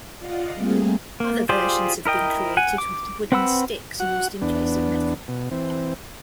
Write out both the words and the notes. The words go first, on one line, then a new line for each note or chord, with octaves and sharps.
Other versions have been created with wooden sticks used in place of metal.
F4 D5 D#5 F5 F#5
G3 A3 A#3 C4 G#4
A#3
F4 G4 G#4 C5 D5
E4 A#4 D#5 G5
F#5 G#5
D6
C4 B4 F#5 B5 E6
F#4 F#5
E2 B3 D4
B2
E3 C4